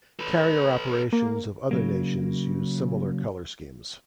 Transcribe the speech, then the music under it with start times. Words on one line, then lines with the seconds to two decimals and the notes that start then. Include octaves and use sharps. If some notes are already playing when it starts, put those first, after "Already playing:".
Carrier operations of other nations use similar color schemes.
0.19 A4 B4
1.12 A#3
1.71 C#3 F#3 A#3